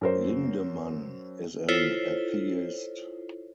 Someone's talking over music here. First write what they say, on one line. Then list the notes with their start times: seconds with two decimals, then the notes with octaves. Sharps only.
Lindemann is an atheist.
0.01 F#2 A#4 C5
1.68 E4 F4 A4 C5 C#5